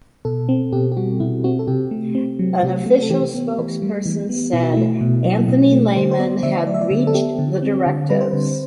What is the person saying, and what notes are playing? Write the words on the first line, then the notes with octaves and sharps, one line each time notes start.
An official spokesperson said Anthony Lehmann had breached the directives.
B2 A4
C4
B2 G4
G4
G3 F#4
B2 E4
C4 F#4
A4
C3 G4
A3
C4
F#3
C3
A3
A4
E3 G4
B3
E3
G3
E3
B3
B2 E4
F#4
A3 E4
B2
F#3
B2
A3
D3 C5
C5
B3 D5
D3 E5
F#3 D5
E5
D5
D3 E5
A4
B3 G4
D3
C4
D3
G3 B4
C5
D3 B4